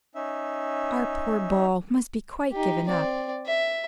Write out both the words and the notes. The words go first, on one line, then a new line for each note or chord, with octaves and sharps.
"Our poor ball must be quite given up."
C#4 D#4 E5
D#4 G4
C4 D5
E5